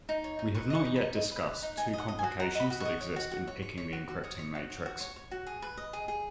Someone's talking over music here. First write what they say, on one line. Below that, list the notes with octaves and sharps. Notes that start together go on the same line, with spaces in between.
We have not yet discussed two complications that exist in picking the encrypting matrix.
D#4
C#5
D#4
B4 C#6
D#5 C#6
D#4
B5
D#5
D#5 C#6
B4 B5
B4
D#4
D#5 G#5
D#5 F#5
D#5
G#5
F#4
F#4 A#5
D#5 B5
F#4
D#5 C#6
C#5
F#4
F#4
C#5
C#5
C#5
F#4
F#4
C#5 D#6
C#5
F#4
C#5
F#4
C#5
C#5
F#4
G#4
B4
D#5
G#4
G#4